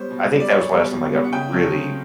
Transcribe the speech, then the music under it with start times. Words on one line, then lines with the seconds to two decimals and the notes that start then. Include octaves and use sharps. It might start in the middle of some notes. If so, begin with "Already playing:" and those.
I think that was the last time I got really
Already playing: G3 B3 C5 C#5
0.11 B2
0.31 G3 B3
0.40 D5
0.51 B2 C#5
0.72 G3 B3
0.91 B2
1.12 G3 B3
1.24 F#5
1.33 C#3 G5
1.52 F#3 A3 C4
1.73 C#3